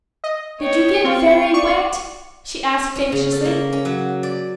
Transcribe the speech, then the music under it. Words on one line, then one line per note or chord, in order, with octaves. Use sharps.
"Did you get very wet?" she asked anxiously.
D#5
C#5 G5
C4 F4 G5 C#6
D5 C#6
C#4
C#3
A4
A#3
C#4
F#3
D5